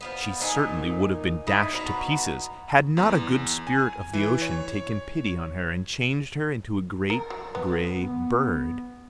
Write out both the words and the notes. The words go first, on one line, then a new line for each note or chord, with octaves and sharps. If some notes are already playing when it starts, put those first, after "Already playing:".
She certainly would have been dashed to pieces, had not a good spirit of the ocean taken pity on her, and changed her into a great gray bird.
F3 G#3 B3
A#2 D#4 A4 G#5
D#4 E4 B4
B2 F#4 B4 A#5
E2
G#5
E3
C#5
A#4
F#3
B3
B3